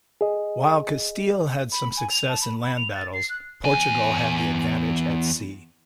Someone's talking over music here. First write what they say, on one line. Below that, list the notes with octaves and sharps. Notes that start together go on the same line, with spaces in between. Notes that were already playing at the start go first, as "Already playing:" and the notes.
While Castile had some success in land battles, Portugal had the advantage at sea.
G#4 D#5
B5
G#5
F7
A5
B5
B5
F7
A6
C7
F#6
E2 G#5